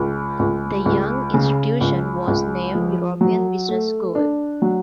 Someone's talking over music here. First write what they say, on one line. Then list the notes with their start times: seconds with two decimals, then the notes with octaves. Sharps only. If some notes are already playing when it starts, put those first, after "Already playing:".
The young institution was named European Business School.
Already playing: C#2
0.39 C#2
0.86 C#2
1.34 C#3
1.81 C#2
2.27 C#2
2.75 F3
3.21 F#3
3.69 A3
4.15 D4
4.62 F#3